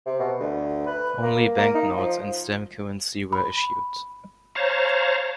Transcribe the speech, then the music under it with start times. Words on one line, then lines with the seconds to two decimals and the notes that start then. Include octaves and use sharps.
Only banknotes and stamp currency were issued.
0.06 C3
0.19 B2
0.40 D2
0.86 B4
1.23 A#3
1.58 A#3
1.74 D#4
1.97 F3
3.33 B5
4.55 C5 C#5 F5 A5 A#5